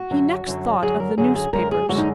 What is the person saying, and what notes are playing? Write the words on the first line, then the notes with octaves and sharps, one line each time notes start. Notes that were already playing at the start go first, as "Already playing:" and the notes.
He next thought of the newspapers.
Already playing: F#4
F#2 D3 F#3
F#2 D3 F#3
F#2 D3 F#3 G#4
A#4
F#2 D3 F#3 G#4
G#4
F#2 D3 G#3 A#4
G#4
F#2 D3 G#3 F#4
D#4